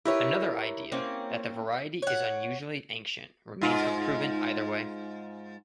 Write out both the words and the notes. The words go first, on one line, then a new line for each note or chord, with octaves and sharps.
Another idea, that the variety is unusually ancient, remains unproven either way.
E4 G4 A#4 B4 C#5
A#3 C4 C#4
C#5 F#5
G#2 F4